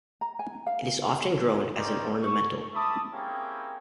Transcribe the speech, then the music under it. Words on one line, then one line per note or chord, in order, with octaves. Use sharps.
It is often grown as an ornamental.
A#5
G#5
F5
C4 C#4 D#4 C5 D5
C#6
E5 A5 B5 D6 D#6
A#3 C4 C#4 E4 G4 G#4